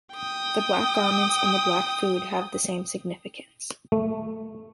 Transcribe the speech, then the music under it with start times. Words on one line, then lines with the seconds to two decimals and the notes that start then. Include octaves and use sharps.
The black garments and the black food have the same significance.
0.14 G5 D#6
3.92 A3